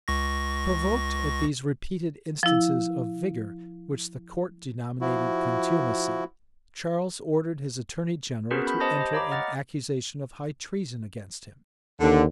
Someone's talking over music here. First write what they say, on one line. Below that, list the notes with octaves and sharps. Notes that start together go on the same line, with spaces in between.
Provoked at these repeated instances of vigor, which the court denominated contumacy, Charles ordered his attorney-general to enter an accusation of high treason against him.
C#2 C#6 A#6
F3 E4
F3 E4 F#4
B3 C#4 F#4 G#4 A#4 B4
B5 G6
C5 D#5 A5 D#6 G6 A#6
G4 D#5
C#5 F5 A#5 B5 D6
D#5 F#5 F6 A6
D#2 D3